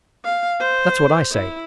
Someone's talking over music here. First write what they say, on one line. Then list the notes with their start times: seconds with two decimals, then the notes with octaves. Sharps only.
'That's what I say.
0.24 F5
0.60 C5
1.31 E4